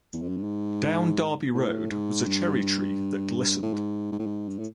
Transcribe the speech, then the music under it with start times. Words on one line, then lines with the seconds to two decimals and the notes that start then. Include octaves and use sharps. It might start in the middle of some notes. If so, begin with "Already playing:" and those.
Down Derby Road was a cherry-tree that glistened.
0.14 E2
0.22 F2
0.29 F#2
0.37 G2
0.44 G#2
1.54 A2
1.91 G#2
2.28 G2
3.63 A2
3.74 G#2
4.12 G#2
4.20 A2
4.27 G#2
4.49 G2
4.59 A2